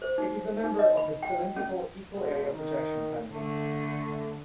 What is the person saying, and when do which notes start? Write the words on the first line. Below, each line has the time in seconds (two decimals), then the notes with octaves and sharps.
It is a member of the cylindrical equal-area projection family.
0.02 C5
0.18 D#4
0.64 D#4
0.79 D#5
0.97 B5
1.23 G5
1.56 C#4
2.13 B2 D3 G#3
2.51 D#3
3.32 D3 A3